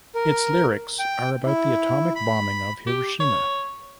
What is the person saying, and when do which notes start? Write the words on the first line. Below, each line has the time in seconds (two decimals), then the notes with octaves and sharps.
Its lyrics are about the atomic bombing of Hiroshima.
0.15 A#4
0.99 G5
1.46 E4
2.15 B5
2.87 G4
3.20 C#5